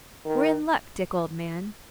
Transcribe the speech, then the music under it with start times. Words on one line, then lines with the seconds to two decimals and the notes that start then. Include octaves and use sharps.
We're in luck, Dick, old man.'
0.26 D#3